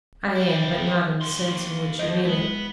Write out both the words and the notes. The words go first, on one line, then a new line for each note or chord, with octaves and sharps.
I am--but not in the sense in which you mean it.
G3 E4
D#2 C6
F2 C5 D#5 G6
G#3 B3 E4